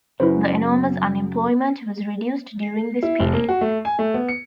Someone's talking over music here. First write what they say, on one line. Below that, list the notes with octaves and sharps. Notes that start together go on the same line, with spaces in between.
The enormous unemployment was reduced during this period.
F#2 C#3 E4 B4 C5
E4
F1
A#3
F#4
A3
G#5
A3
B3
C#7